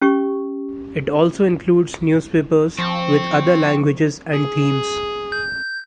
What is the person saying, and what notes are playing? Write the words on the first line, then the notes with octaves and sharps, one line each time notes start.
It also includes newspapers with other languages and themes.
C#4 G4 C#6
F3 C4 C#6
G#4
G6